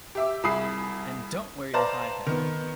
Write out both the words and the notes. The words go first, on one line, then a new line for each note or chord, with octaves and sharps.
And don't wear your high hat!
G4 E5 D6
C2 E4 G#4 B5 D#6 C7
B4 C5 D5 F5 A5 A#5
D#3 B3